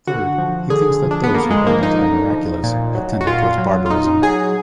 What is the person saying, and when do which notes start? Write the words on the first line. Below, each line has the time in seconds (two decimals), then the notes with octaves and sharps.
Third, he thinks that those who hold onto the miraculous have tended towards barbarism.
0.07 D3 F#4
0.38 F3
0.70 D3 G#4
1.03 F3
1.11 D4
1.23 B3
1.34 D3 A#3
1.51 G#3
1.67 F3 A#3
1.83 D#4
1.98 D3
2.30 F3
2.63 A#2
2.95 F#3
3.21 F#4
3.27 A#2 F4
3.58 F#3
3.86 F4
3.90 A#2 D#4
4.22 F#3 G#4